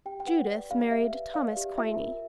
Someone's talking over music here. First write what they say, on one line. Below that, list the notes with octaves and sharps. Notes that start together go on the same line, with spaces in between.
Judith married Thomas Quiney.
G4 G5
G5
B4 F#5
D5
G4 F5
G4 E5
B4
D5 F5
G4
F4 E5
A#4